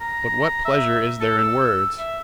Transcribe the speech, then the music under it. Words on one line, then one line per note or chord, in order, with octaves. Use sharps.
But what pleasure is there in words?
A#5
E5
A4
E6
E5